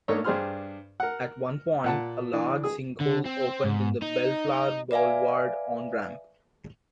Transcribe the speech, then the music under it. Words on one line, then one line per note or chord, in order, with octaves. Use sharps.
At one point a large sinkhole opened in the Bellflower Boulevard on-ramp.
G#2 A3 A#3 D4 C#5 D#5
G2 D4 G#4 C5 C6 F6
A#4 F#5
A#2 F#5 A5
E3 D4
G#4 D#6
D3
C4
G#2
D#4
B4 D5 E5 F5 G#5